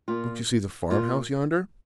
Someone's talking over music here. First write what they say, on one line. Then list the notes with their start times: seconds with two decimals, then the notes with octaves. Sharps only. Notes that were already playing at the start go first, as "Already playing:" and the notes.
Don't you see the farm-house yonder?
0.08 A#2 F4
0.91 A#2 F4